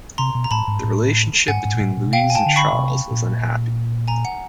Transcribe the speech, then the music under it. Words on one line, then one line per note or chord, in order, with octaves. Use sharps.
The relationship between Louise and Charles was unhappy.
C3 A#5 C6
B2
A#5
A2 A5 B5
G#2
A2
G#2 F#5 G#5
G#2
A#2
A2
A#2
C3
B2 F5 G5
G#5
G5 A5
D3
B5 C#6
B2
C3
A#2
G#5 A#5
F#5